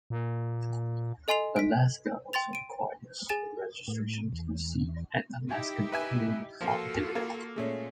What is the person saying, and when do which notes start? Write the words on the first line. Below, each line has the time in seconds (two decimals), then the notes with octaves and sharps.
Alaska also requires registration to receive an Alaska Permanent Fund dividend.
0.10 A#2
1.28 A4 D#5 G#5 C6 C7 F7
1.56 B6 D7
2.33 G5 C6 A6 F7
2.53 D7 D#7
3.29 G#4 G#5 A6 E7
3.88 A2
4.33 E2
5.48 D#4 E4 G4
5.92 B4 E5 G#5
6.61 F3 A#3 F4 F#4 A4
7.15 A#3
7.56 A#2 G#3 A3 C#4